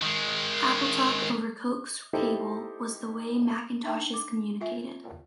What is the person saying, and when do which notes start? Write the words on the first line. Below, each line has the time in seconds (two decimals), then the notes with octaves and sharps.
AppleTalk over coax cable was the way Macintoshes communicated.
0.02 D#3 G#3
2.13 D#4 E4 G4 A4 C5
3.83 D4 D#4 E5 G5 A5
4.14 D6
4.61 F4 E5 G#5